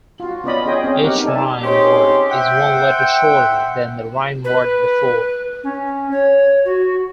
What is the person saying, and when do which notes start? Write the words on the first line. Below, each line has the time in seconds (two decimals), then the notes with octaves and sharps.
Each rhyme word is one letter shorter than the rhyme word before.
0.20 F4 F#4
0.44 B3 C#4 F4 D5 D#5 B5
0.66 C#4 F4 G#4 D#5 G5 G#5
0.84 C4 C#4 G5
1.03 B3 D#4 G4 A#4 F#5
1.24 D#4 A4 D5 G#5 A5
1.64 C4 C#4 D#4 G4 G#4 C6
2.31 C5 E5 F#5 G5
4.44 B4
5.63 C#4
6.11 C#5
6.65 F#4